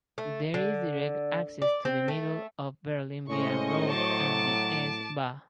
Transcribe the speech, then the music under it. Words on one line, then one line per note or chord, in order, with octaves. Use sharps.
There is direct access to the middle of Berlin via road and S-Bahn.
A3
D3
D5
C4
A3
A2 G#3 C#4 C5 D#5 C#6
F#3 A5 D6